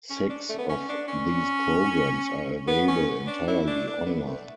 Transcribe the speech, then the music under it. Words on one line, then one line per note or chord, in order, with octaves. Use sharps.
Six of these programs are available entirely online.
C#4
D4
A3
B3
C#4
D4
C#4
B3
C#4
D4
E4
D4
D4
B3
A3